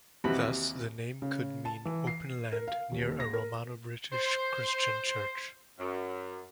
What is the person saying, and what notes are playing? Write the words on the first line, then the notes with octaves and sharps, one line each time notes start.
Thus the name could mean 'Open land near a Romano-British Christian church'.
D#2 C3 E3 B3 F#4 B5
C#3
A5
E3
C7
A#4
F5
D#1
A#6
A#4
C5
F#2